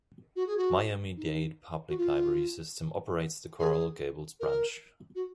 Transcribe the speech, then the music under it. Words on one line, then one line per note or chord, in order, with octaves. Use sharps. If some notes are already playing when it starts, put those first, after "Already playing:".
Miami-Dade Public Library System operates the Coral Gables Branch.
F#4
G#4
F#4
D#4
F#4
F4
G#4
A#4
F#4